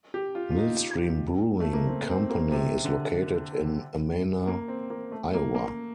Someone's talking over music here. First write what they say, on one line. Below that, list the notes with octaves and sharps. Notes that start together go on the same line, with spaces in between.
Millstream Brewing Company is located in Amana, Iowa.
G4
F4
F4
D#4
A3
A#3
C4
C4
A#3
C3
D3
A#3
C4
A#3
A3
A#3
A#3